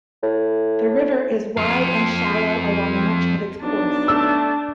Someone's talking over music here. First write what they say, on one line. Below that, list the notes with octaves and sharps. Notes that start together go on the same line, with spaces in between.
The river is wide and shallow along much of its course.
A2
F2 F4
B1 D4 A5
A3 E6